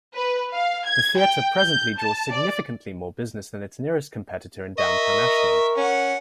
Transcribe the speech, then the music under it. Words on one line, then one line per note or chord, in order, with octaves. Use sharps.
The theater presently draws significantly more business than its nearest competitor in downtown Ashland.
B4
F5
G#6
G5
G6
A5
D5
A#4 D#5 E5 C#6
C#4 F#5